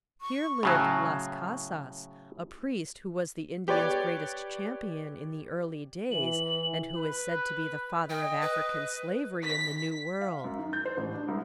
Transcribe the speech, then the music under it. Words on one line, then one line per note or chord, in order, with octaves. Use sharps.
Here lived Las Casas, a priest who was the Indian's greatest champion in the early days and who is said to be the father of African Slavery in the new world.
C#6
A2 C#3 F#3
G4 B4 C#5 D5
E3 F#7
B4
D#5 G5
B4
B6
F5
F#2
D#3
G6
C5
A1
D4
C2